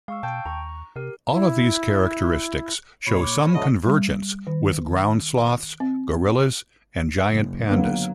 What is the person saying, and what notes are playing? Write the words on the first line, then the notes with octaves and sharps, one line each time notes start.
All of these characteristics show some convergence with ground sloths, gorillas and giant pandas.
G#3 F5 C#6 E6
B2 G5 A5 G6
D#2 A#5 C#6
C3 G4 A#4
E4
A#2 C#5 B5
D6
D3 F#3 A3 D#5 D#6
G3
D#3
C4
F#1
D3 F#3 A#3 B3